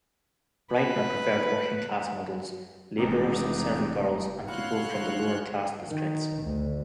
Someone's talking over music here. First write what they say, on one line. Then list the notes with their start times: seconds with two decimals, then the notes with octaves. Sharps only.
Breitner preferred working-class models: labourers, servant girls and people from the lower class districts.
0.73 B4
2.98 F1 C3 E3 G#3 D4 D#4
4.48 E4 F#4 C#5 F5 C6 F#6
5.86 D#3
6.40 D2